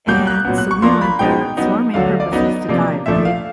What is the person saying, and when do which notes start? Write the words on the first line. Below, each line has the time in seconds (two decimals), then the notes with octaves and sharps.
and so we went there so our main purpose was to dive, right?
0.08 B2 F#3 A#3 G6
0.27 F#6
0.45 A#2 F#3 B3
0.58 F#6
0.71 C#6
0.82 F3 A#3 D4 C6
1.01 B5
1.19 B2 G#3 B3 D#4 G5
1.57 F#3 B3 D#4
1.94 D3 F#3 A3 F5
2.06 D#5
2.20 D5
2.32 F#3 B3 D#4 D#5
2.68 C3 F3 A#3 D4
3.06 A#2 F3 A3 D4 E5
3.25 F5